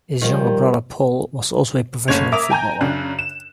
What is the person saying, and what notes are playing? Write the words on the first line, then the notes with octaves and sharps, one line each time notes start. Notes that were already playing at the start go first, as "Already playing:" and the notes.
His younger brother Paul was also a professional footballer.
D#3 F3 G3
F#1 A3 C#4 C#5 G#6 F7
A#4 E5 D6 D#6 F7
G5 G#5 A#5 G6
F#2 C#3 D4 F#6
E7